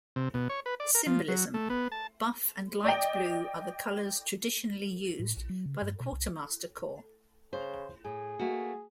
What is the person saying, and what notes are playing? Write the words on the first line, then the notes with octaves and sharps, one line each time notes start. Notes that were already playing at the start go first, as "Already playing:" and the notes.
Symbolism: Buff and light blue are the colors traditionally used by the Quartermaster Corps.
C3
B2
C#5
B4
D5
A#4
F3
F#3
A3
B3
A5
D5 D#5 G5
A2
A#1
F#3
C#3
G2
B2
C2
C#3 C5
A2 G#4
A3 A#3 F#4